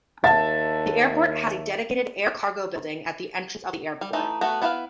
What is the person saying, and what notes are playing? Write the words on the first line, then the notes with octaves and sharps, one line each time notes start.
The airport has a dedicated air cargo building at the entrance of the airport.
D#2 E5 A5 A6
G3
E3 A3 D#4
A3 B3 F#4
B3 E4 B4 C5 F5